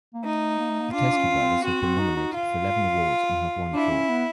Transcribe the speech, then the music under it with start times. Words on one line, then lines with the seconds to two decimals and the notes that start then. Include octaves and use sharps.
The Teskey Brothers have been nominated for eleven awards and have won four.
0.14 A#3
0.24 A3 D#4
0.59 A#3
0.70 A3
0.81 A#3
0.94 D4 F4
1.12 D4
1.17 C#4
1.31 C#4
1.41 C4
1.64 C4 F#4
1.82 C4
1.99 D#4
2.17 D#4
2.33 F4
3.74 D4 E4
3.91 C#4
4.09 B3